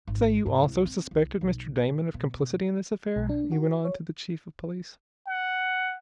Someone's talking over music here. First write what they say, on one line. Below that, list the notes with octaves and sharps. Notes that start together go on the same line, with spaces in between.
"You say you also suspect Mr. Damon of complicity in this affair?" he went on, to the chief of police.
G#1
G#2
C2
C4
C2
B1
B2
B1
D4
F#4
C#5
F#5